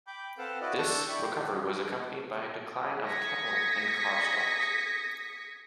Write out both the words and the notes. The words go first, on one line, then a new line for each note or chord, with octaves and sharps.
This recovery was accompanied by a decline of capelin and cod stocks.
G5 B5 D6 G6
C4 A4 B4 F5 F#5 A5
E4 F#4 B4 D5 D#5
D4 A4 C#6 G6
E4 D5 G5 B5 C#6
G4
D#6 G#6 A#6 B6 C#7